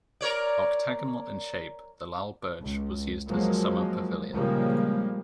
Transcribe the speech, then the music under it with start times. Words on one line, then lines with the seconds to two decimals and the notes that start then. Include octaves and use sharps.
Octagonal in shape, the Lal Burj was used as a summer pavilion.
0.21 A#4 C#5 D5
2.62 C#2
3.29 F3 F#3 G#3 A#3
4.33 A#2 C#3 F3 G3 G#3 A#3